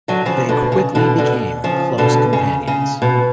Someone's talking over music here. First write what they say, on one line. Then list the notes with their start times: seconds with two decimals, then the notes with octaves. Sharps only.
They quickly became close companions.
0.08 D3 F#3
0.26 C#3 F3
0.49 B2 D3
0.72 C#3
0.95 B2 D3
1.18 B2 D3
1.64 C#3 F3
1.98 B2 D3
2.33 C#3
2.67 C#3
3.02 B2